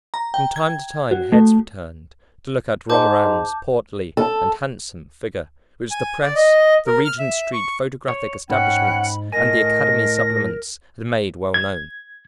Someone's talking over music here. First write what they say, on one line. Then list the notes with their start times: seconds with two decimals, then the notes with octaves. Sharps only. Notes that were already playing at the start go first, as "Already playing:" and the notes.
From time to time heads were turned to look at Romarin's portly and handsome figure, which the Press, the Regent Street photographic establishments, and the Academy Supplements had made well known.
0.14 A#5
0.34 G5
0.56 G#6
1.11 F#4
1.32 A3
2.89 G#2 A5 D6 G6
4.17 A4
5.91 G#5
6.22 D5
6.36 D#5
6.87 A#4
7.05 F6
7.19 E5
7.53 C#6
8.08 C#5
8.50 G#2 C#4 F#5 G5 B5
9.32 A2 A#4 D#5 G#5 A#6
11.54 G#6